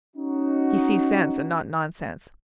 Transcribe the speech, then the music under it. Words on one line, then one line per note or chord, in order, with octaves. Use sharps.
He sees sense, and not nonsense.
C#4 D#4 F#4